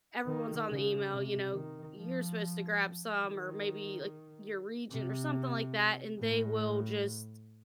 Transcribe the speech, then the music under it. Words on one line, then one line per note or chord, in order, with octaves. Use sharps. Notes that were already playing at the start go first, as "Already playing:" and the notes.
everyone's on the email, you know, you're supposed to grab some, or maybe, like, your regent or something like that, and they will just
D#3
C#3
C3
D#3
F3
D#3
C3
A2